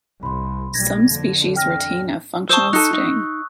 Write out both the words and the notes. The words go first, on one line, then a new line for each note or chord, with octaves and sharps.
Some species retain a functional sting.
C2 B5 C6
B1 G3 A#3 G#6 A#6
F2 D3
G5 F6 A#6
C5 A5 C#6 D#6 E6
D#4 A4 F#6
D#4